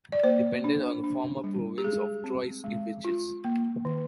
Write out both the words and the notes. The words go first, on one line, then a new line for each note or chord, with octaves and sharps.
Depended on the former province of the Trois-Évêchés.
D5
A#3 C5
D4
D4
G3
G4
G#3 G#4
C4
G#3
F4
A#3
D#3